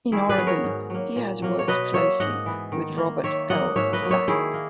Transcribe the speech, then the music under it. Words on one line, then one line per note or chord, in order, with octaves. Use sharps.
In Oregon he has worked closely with Robert L. Sack.
D#3 E4 G#4
G#4 B4
F#3 B3
A#4 C#5
G#2
F#3 A#3
A#2
F#3 A#3
C#5
B2 B4 D#5
F#3 A#3 C#5 E5
G#2 D#5 F#5
E3 B3
D#3
A#3
D#3 C#5 E5
F#3 A#3 D#5 F#5
G#2 C#5 E5
B4 D#5
F#3 A#3
C#5 E5
D#3 E4 G#4
A#3